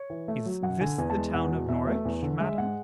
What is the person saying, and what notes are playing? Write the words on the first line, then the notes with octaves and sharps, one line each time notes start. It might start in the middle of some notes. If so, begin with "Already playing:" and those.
"Is this the town of Norwich, madam?"
Already playing: C#5
E3
A3
F#3
F#2 F#5
D3 G#5
E2 G#5
A5
G#3
E2 F#5
B2
E2 E5
A3
E2
D3
G#3 E5
G#2 F#5